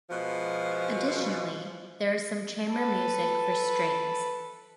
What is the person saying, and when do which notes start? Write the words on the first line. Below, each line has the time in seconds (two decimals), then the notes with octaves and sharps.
Additionally, there is some chamber music for strings.
0.10 B2 F3 G#3
2.70 A4 B4